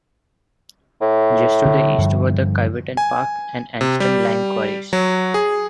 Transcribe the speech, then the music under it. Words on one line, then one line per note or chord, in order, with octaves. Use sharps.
Just to the east were the Kiveton Park and Anston lime quarries.
A2
D3
G2 D3 F3
G#5
C3
G3
F#3
G#4